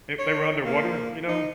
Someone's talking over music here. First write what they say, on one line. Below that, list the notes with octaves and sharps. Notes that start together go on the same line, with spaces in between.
they they were underwater, you know?
C#5
A#3
D#4